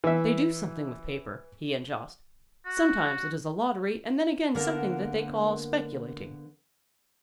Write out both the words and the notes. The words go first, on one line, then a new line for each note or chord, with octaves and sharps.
They do something with paper, he and Jost. Sometimes it is a lottery and then again something that they call speculating.
E3 E5
F#4
D3 A#3 B3 A#4 A5